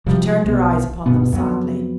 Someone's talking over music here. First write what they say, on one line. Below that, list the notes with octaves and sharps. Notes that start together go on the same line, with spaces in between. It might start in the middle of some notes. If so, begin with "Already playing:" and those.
She turned her eyes upon them sadly.
C3 F3 G3
B1 G3 B3
G1 B2 B3
F2 F#3 B3